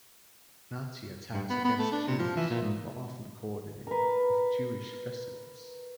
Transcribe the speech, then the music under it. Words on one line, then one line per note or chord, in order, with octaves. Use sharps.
Nazi attacks against Jews were often coordinated with Jewish festivals.
G2
B3
B3
A3
D4
C3
F3
E3
A#2
G#2
A#4 B4